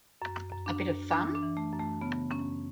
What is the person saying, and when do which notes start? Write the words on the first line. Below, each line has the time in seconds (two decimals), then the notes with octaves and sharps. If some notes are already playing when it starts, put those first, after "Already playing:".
A bit of fun?
0.22 F#2
0.52 F#2
0.66 D4
0.82 F#2
1.11 E3 D4
1.35 D4
1.43 E3
1.57 A3
1.73 F#2
1.79 A3
2.01 C#3 B3
2.32 F#2 C#4